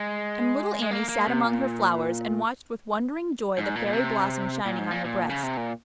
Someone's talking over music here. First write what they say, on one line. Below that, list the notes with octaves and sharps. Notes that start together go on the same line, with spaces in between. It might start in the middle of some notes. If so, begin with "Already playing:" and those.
And little Annie sat among her flowers, and watched with wondering joy the fairy blossom shining on her breast.
Already playing: G#3
G#3
A#3
A#3
C3
A#2
G#2
A#2
A#2
C3
A#2
G#2
A#2
A#2
C#3
C3
A#2